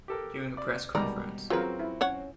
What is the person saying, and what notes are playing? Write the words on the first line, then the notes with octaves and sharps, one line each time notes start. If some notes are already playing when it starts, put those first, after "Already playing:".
During a press conference.
G4 A4 A#4
D5 D6
B2 D#3 G3 G#3 D5 A#5
C#3 F#3 C4 F4 F#4 A#4 B4
E4
C#4 C#5 F#5